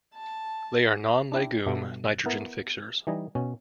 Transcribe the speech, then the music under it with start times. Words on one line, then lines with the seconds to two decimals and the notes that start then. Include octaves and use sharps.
They are non-legume nitrogen fixers.
0.14 A5
1.32 D4 E4 G4
1.66 G2 B2 A4 E5 F#5
2.26 B3 E4 A#4
3.07 E3 G3 D#4 G#5 A#5
3.35 B2 C#4